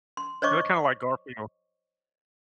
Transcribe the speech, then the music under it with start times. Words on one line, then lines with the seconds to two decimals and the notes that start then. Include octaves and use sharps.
They're kinda like Garfield.
0.17 C6
0.42 C5 C#5 D#5 C#6 D6